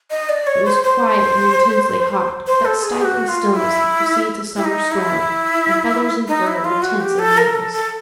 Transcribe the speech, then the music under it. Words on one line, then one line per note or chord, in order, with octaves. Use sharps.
It was quiet and intensely hot, with that stifling stillness that precedes a summer storm, and feathers and fur were tense and nervous.
D#5
D5
C#5
C5
C5
C5
A4
G#4
G4
F#4
F4
E4
E4
D#4
E4
D#4
E4
F4
F#4
G4
A4
A#4
A4
A4